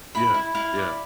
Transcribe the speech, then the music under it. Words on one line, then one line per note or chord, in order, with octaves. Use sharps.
Yeah. Yeah.
E4 B5
E4
E4 F5
D5